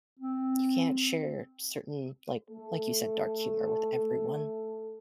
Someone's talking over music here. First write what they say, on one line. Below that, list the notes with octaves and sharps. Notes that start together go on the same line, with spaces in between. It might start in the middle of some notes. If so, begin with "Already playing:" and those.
you can't share certain, like like you said, dark humor with everyone,
C4
A3 A4